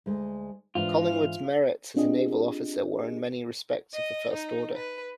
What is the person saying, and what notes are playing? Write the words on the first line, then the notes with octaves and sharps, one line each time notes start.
Collingwood's merits as a naval officer were in many respects of the first order.
D2 G#3
G#2 E3 D4 F4
C4 D4 F4 G4 G#4 D#5
D#5
D#4
B4